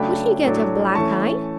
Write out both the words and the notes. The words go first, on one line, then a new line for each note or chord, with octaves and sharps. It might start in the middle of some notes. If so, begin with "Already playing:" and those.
Would he get a black eye?
Already playing: C#3 F#3 A3 D4 G5 B5
A2 F#3 A3 D4
E3 A3 C#4 A5 C#6